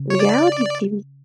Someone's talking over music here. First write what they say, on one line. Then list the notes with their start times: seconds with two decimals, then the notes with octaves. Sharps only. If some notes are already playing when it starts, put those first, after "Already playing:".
Reality TV.
Already playing: C#3
0.10 C#5
0.20 D5